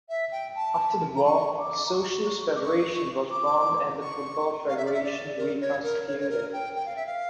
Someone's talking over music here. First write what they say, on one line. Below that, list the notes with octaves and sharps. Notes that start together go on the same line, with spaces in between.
After the war, a socialist federation was formed and the football federation reconstituted.
E5
G5
A5
A#5
C#6
D6
A#5
C#6
D6
C#6
D6
C#6
F5
E5
D5
E5
D5
A#4
C#5
A#4
C#5
C#5
A#4
G5
G5
F5
E5
F5